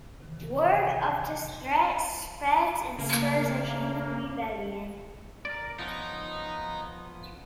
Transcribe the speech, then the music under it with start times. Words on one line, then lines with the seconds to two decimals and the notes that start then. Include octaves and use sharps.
Word of this threat spreads and spurs a human rebellion.
0.20 C3 D#3 E3
2.98 C#3 A3 A#3
5.45 A#4 D5
5.79 F3 B3 C#4 D#4